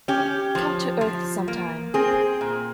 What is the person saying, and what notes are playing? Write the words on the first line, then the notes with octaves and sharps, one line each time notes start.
Come to Earth sometime.
C#4 G4
F3
F3
A#3
C4 G#4
A#2